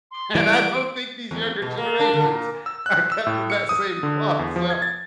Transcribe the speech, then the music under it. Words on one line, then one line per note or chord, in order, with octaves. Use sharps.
and I don't think these younger generations are cut from that same cloth, so,
C6
E3 G3 D7
E2
B2
A#3
D4
D3
A#2
E6
F#6
E6
A2
C#7
D#6
D3
E2
F3
G#6
A6